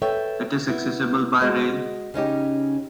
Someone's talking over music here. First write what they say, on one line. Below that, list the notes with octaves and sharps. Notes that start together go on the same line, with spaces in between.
It is accessible by rail.
A4 B4 C#5 E5 G5
B3 E4
G#3 F#4 C5 D#5
C#3 C#4 D#4 G4